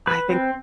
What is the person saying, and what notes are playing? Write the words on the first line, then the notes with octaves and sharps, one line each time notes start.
I think
B4
C4